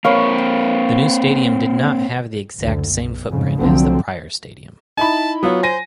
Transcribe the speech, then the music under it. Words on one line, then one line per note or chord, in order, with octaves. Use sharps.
The new stadium did not have the exact same footprint as the prior stadium.
A#3 C4 A#4 B4 C#5 F5
F#1 D2
B1
F2 G#2 C#3
C2 D3 F3 F#3 A3 C4
D#4 E4 A5 B5
F#3 B3 F4 C#5
C5 G#5 A#6 D#7